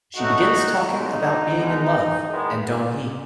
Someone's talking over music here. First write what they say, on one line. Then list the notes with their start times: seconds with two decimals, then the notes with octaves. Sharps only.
She begins talking about being in love, and Dong-hee.
0.16 B2 F#3 A3 D#4 F#4
0.87 B2 G#3 B3 D#4
1.57 B2 G#3 B3
2.28 E2 D#3 G#3 B3